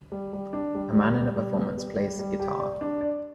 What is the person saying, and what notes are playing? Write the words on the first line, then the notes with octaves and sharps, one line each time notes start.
A man in a performance plays guitar.
G3
G3
D4
G3
G3
G3
G3
B3
G3
G3
G3
G4
D5
D4
D5